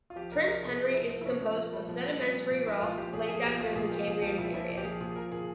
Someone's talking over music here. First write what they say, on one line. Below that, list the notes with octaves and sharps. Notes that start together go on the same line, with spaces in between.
Prince Henry is composed of sedimentary rock laid down during the Cambrian period.
F4
F3 G4
C3 A#4
F3 A#4
C3 G#4
F3 G#4
C3 E4
F3 C4
E4
C3 C#4
F3 C4
A#2 A#3
F3 G3
A#2 F3
F3 G3
A#2
F3
A#2
F3 E4
A#2 F4
F3 G4
A#2 G#4
F3 G#4
A#2 G4
F3 F4
A#2 G#4
F3 G4
A#2 G#4
F3 G4
A#2 E4
F3 E4
A#2
G4
F3 G#4
A#2 G#4
F3 A#4
A#2 G#4